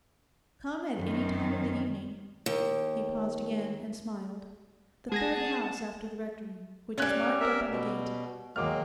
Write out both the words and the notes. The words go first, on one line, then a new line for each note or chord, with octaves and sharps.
Come at any time of the evening'; he paused again and smiled--'the third house after the Rectory, which is marked up on the gate.
F#2 D#3
D#2
G#3 G#4 F#5 G#5 A5 A#6
G3 C#4 G#5 F#6 G#6
A#4 E5
B2
D#2 F#3 G#3 A#3 D6 F6